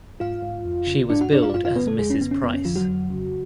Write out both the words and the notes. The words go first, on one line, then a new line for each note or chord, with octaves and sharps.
She was billed as Mrs Price.
G#2 F4 F5
G#2
F2
C#3
G#2 D4 D5
F#4 F#5
G#2 D4 D5
F4 F5
D5
F#2 F4 F5
F4 F5
C#3 B3 B4
A3 A4
F2 G#3 G#4
C#4
C#3 B3
C#4
F2 B3
C#4
D3 F3 F4
F#3 F#4
F2
C#3